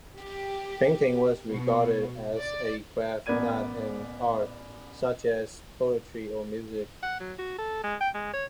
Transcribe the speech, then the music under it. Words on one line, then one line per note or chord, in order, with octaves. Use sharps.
Painting was regarded as a craft, not an art such as poetry or music.
G4
B2
D5
A1 B3 A#4 D5 G#6 D#7
F#5
F#3
F#4
A4
G#3
G5
G#3
C#5